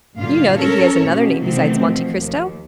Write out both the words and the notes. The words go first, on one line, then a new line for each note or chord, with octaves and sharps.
"You know that he has another name besides Monte Cristo?"
G2 A#2 D3 F4 F5
C#4 A4 A#4 C#5
B2 A#3 B3 C#4
C3 D#3 E3 F#3 A3 C4
B2 F3
D#2